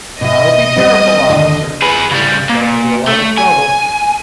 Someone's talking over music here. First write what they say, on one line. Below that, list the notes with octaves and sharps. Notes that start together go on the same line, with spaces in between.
"Now be careful, officer, or you'll get yourself into a lot of trouble."
B2 D#5 E5
G3 B3 C4
D#2 D3 A4
G#4 B4
C#3 G3
A#2
A3
G#5